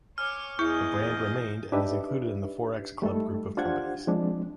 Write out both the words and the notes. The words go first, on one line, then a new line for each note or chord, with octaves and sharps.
The brand remained and is included in the Forex Club group of companies.
C#5 G#5 D6 F6
E2 E4 G#4 D#5 E5 G6
D4 D#4 G4 B4 E5
G3 A3 D#4 A4
D4 F4 G4 C5 F#5 G#6
F3 G#3 C4 D4